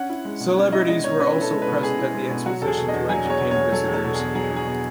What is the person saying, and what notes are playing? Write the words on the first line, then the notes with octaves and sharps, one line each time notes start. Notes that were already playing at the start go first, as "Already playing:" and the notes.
Celebrities were also present at the exposition to entertain visitors.
Already playing: C#4 F#5
E4
G#3
B2
C#4
E4 D#5
G#3 D#5
B2 C#5
C#4 B4
E4
A4
G#3
B4
B2
C#4 G#4
E4
G#3
B2
F#3 F#4
E2 A4
G#4
B2
D#5
E2
F#3 G#5
E2 C#5
B2
C#5
E2
F#3 A4
E2
A4
B2
G#4
E2
F#3 G#4
E2
G#4
B2